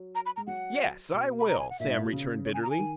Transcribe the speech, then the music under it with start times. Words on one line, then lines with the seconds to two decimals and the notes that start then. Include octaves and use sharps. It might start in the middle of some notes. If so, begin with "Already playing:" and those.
"YES, I will!" Sam returned bitterly.
Already playing: F#3
0.15 A#5
0.26 B5
0.36 G#3 A#5
0.47 F#3 F#5
1.14 B2
1.39 B5
1.49 A#5
1.59 G#5
1.70 F#5
1.80 A#2 E5
1.88 G#2
1.96 A#2
2.05 B2
2.12 C#3
2.45 C#5
2.54 G#5
2.63 A#5
2.70 G#5
2.79 D#3